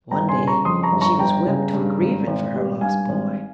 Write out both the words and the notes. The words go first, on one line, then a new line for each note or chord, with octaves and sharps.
One day she was whipped for grieving for her lost boy.
G1 G5 A#5
G#5 C6
C#3
A#5 C#6
F2 C6 D#6
A#5 C#6
G1
A#5 C#6
G1 G5 A#5
C#3
G2
G#1
G#1
G3
G2 F5 G#5
G#1